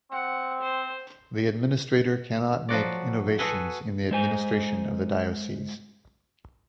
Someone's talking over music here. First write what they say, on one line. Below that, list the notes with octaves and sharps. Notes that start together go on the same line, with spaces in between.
The administrator cannot make innovations in the administration of the diocese.
C4 F#5
C5
F3 F#3 F#4 D5
F#4 G#4 A4 B4 G#5
G#3 C5 G#5